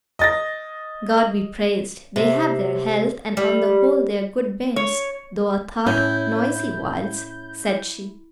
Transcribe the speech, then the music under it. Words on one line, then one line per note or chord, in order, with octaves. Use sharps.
"God be praised, they have their health; and on the whole they are good bairns, though a thought noisy whiles," said she.
D#5 A6 A#6
C3
G3
C#5
A2 C#4 E4 G6